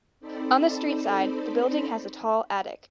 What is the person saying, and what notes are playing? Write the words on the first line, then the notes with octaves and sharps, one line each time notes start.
On the street side, the building has a tall attic.
C4 D#4 A4 C5 D5 B5